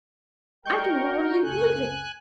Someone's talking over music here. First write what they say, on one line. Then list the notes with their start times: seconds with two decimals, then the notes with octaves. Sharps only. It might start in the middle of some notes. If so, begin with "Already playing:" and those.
I can hardly believe it!
0.65 G3 A3 A#4 D#5 G5 C#6 G6
0.98 D4 F#4
1.43 C#2 F#2 A#2 C#3 A4 G#5 F#6